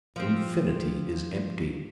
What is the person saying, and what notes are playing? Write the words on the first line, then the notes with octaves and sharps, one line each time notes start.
Infinity is empty.
F3 C4